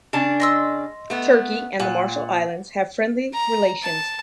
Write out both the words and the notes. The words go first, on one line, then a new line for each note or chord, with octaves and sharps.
Turkey and the Marshall Islands have friendly relations.
C#3 D4 A5
D#5 C6 E6
A3 B3
A#2 F#5
A#5
A5